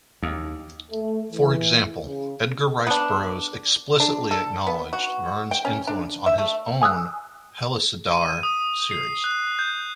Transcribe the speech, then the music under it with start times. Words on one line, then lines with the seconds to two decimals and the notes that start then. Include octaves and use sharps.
For example, Edgar Rice Burroughs explicitly acknowledged Verne's influence on his own "Pellucidar" series.
0.23 D#2
0.90 A3
1.30 E3
2.05 C#3
2.87 B3 D4
4.00 D4
4.31 A4
4.67 B3
4.93 F#4
5.51 G5
5.65 C#4
5.87 D4
6.26 E5
6.38 A3
6.82 G#5 D#6 E6 F#6
8.12 D#7
8.43 D#6
8.91 C7
9.24 F#6
9.59 G6